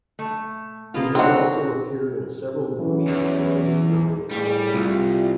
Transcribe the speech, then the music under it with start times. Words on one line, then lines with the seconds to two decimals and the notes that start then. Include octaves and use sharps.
He has also appeared in several movies and released nine albums.
0.19 A3
0.94 A#3 B3 F4
1.15 C4 D4 F#4 C#5 F#5
2.77 E3 F#3 C#4
3.07 E2
4.31 A2 G3 G#4
4.73 C2 G3 E4 F4